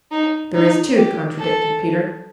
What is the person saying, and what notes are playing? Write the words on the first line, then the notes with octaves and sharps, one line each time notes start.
"There is too," contradicted Peter.
D#4
D#4
G4
A4